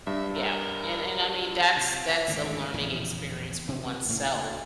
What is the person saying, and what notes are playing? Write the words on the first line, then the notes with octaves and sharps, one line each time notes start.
Yeah, and and I mean, that's that's a learning experience for oneself,
G2 E5
A#4
C3
G#1 D2 C#3
A#1 E2 A2 C#3
C3
A2 C#3 A#3
D2